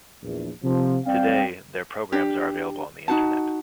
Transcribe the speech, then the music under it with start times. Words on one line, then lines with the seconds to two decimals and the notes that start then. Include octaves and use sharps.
Today, their programs are available on the Internet.
0.22 A#1 E2
0.62 C3 F3
1.05 G3 C4 D5 F5 G5
2.12 D4 G4
3.08 D#4 F#4 A5